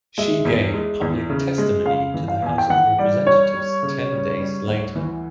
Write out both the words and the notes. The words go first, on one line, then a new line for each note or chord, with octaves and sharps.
She gave public testimony to the House of Representatives ten days later.
G#3 E5
E2
G#3
E2
C#3
G#3
C#3 F5
E3
F5
E2 G#5
G5
E3 F#5
G3 D5
G3 C#5
G3
C#3
G3
G3
D2
E3